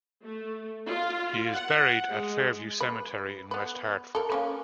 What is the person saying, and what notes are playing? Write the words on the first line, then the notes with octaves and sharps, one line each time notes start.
He is buried at Fairview Cemetery in West Hartford.
A3
F4
F#5
G#3
B4
B3 B4
A4 A#4
A#3 C#4 B4